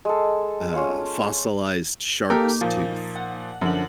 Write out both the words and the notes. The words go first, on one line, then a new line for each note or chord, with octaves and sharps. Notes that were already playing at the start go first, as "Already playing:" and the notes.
uh, fossilized shark's tooth.
G#3 A4
C#4 F4 C#5
A#3 D#4 G4 A4 A#4
A#2 F3
F#5
F#2 D3 F3 F#7